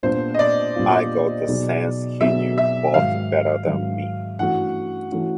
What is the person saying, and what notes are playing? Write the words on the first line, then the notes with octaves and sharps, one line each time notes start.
I got the sense he knew "both" better than me.
A#2 G3 B3 D4 F4 C5
D#5
D5
A#2 G3 B3 D4 F4
B2 F#3 B3 D#4 G#4
B2 F#3 B3 D#4 G#4 E5
E5
G#2 D#3 F#3 F5
G#2 D#3 F#3
G2 E3 A3 C#4 F#4 F#5
E3 A3 C#4 F#4